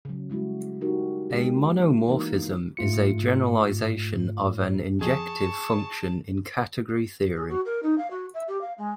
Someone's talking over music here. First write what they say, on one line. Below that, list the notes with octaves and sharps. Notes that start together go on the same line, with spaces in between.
A monomorphism is a generalization of an injective function in category theory.
C#3 F#3
G3 G#3 E4 F#4
D#4 F#4 G4 A#4
G#3 A#3 B3 D4 G4
E3 A#3 D#4 F#4 A#4
G#2 A3 F4 C#7
F2 G#4 A5 C#6
G#4
F#4
A#4
D#4
F5
F#4
E5
G4
F5
G#3